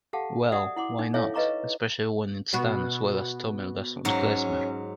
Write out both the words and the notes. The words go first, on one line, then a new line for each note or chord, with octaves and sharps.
Well, why not, especially when it's done as well as Tummel does on Klezmer.
G4 A4 F5 F#5 A5
F#4 D5 E5 F#5 D#6
E4 F#5 C6 D6
D#4
E4 A4 C#5 E5 F5 G#5
B4 D#5 F5 A#5 C#6 D6
B2 B3 F#4
G#2 F#3 C#4